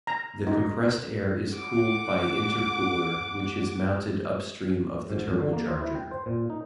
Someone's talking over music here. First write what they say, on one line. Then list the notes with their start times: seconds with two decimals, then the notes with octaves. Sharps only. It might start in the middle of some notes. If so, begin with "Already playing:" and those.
The compressed air is cooled by intercooler which is mounted upstream of the turbocharger.
0.07 A#5
0.47 D#4
1.55 F#5 D6
5.10 G#2
5.28 F2
5.40 D3
5.53 A#3
5.68 C5
5.81 E4
5.95 G5
6.11 C5
6.26 A#2
6.50 D#4